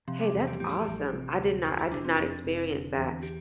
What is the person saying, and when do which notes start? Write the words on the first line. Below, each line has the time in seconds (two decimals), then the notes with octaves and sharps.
Hey, that's awesome. I did not I did not experience that.
0.08 C3 F3
0.21 G3
0.34 E2
0.47 G4
0.60 A2 G4
0.87 A1
1.13 C3
1.39 D2
1.65 F2 F4
1.79 E4
1.91 F1 D4
2.05 C4
2.18 F2
2.44 F1
2.71 D3
2.97 E2
3.23 G4